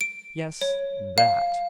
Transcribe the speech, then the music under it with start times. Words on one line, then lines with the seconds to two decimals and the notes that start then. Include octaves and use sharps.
Yes, that.
0.01 D7
0.61 C#5
1.18 F5